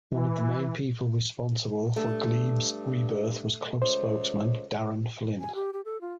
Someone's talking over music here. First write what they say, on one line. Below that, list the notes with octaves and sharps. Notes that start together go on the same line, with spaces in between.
One of the main people responsible for Glebe's rebirth was club spokesman Darren Flynn.
E3
G2 A3
C#2 C5
G#5
G4
G4
A4
F4